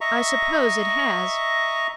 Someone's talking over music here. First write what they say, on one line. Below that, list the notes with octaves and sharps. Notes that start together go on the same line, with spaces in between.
I suppose it has.
D#5 E5 A#5 C#6